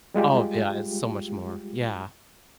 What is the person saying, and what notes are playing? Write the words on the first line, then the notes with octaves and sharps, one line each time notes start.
Oh, yeah, it's so much more, yeah.
G3 G#3 F4 G4